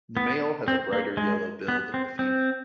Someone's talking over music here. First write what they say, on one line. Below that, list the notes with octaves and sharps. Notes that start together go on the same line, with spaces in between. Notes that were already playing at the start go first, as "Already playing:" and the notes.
The male has a brighter yellow bill than the female.
B3
C4
A#3
G#3
B3
C4
C4